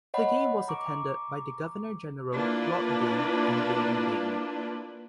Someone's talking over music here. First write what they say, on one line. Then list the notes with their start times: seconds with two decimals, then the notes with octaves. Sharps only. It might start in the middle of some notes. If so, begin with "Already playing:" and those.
The game was attended by the Governor General Lord Byng and Lady Byng.
0.14 C#5 D#5 F#5 B5
0.68 A#5 C#6 D6
2.34 A#3 D4 E4 F4 B4 D5